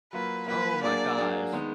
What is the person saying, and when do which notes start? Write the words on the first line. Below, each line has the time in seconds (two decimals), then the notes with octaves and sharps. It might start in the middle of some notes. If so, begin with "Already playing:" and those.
Oh my gosh.
0.13 F#3 A#3 F4 B4
0.48 F#3 A#3 F4 B4
0.83 F#3 A#3 D4 G#4 D5
1.18 F#3 A#3 D4 G#4
1.52 D#3 G#3 B3